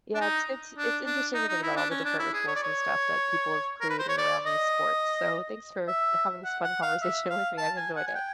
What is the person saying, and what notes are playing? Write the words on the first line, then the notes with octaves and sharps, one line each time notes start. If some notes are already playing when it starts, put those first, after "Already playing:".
yeah, it's it's it's interesting to think about all the different rituals, and stuff, that people have created around these sports, so thanks for having this fun conversation with me, I've enjoyed it.
D4
D#4
D4
D4
D#4
D#4
E4
D4
C#4
D4
E4
G#4
C#5
D5
C#5
A#4
B4
C5
C#5
D5
D#5
E5
F#5
F#5
F5
E5
F5
A5
G#5
F#5
G#5
G5